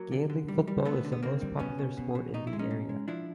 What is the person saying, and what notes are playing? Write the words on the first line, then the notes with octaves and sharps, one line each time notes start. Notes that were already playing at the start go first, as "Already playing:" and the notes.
Gaelic football is the most popular sport in the area.
Already playing: F#3 A#3
D3
D3
G3
G3
D3 A3 B3
D3
B3
D3 A#3 C4
G3
B2 B3 C#4
B2
B2
B2
B2 D#4
E4
G#3
C#4 D#4
B2
G#3
F3 D4 E4